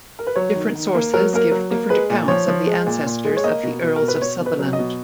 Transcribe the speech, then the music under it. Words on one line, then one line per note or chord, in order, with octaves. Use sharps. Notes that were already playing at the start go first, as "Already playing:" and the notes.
Different sources give different accounts of the ancestors of the Earls of Sutherland.
A#4
B4
F#3 C#5
D#3
D#3
A#3
F#3 A#4
A#3 A#4
F#3
A#3
G#3 B4
A#2
F3 C#5
F3
G#3
A#2
A#2
G#3
C#5
A#3 D#5
B2
B2
A#4
B2
B4
B2 C#5
B2
B4
F#3
D#5
B2